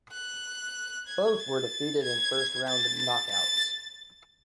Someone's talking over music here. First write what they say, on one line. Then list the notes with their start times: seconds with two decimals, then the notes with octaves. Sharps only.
Both were defeated in first-round knockouts.
0.12 F#6
1.08 G#6
1.40 A6
2.03 G#6
2.67 A6
2.99 A6
3.31 A6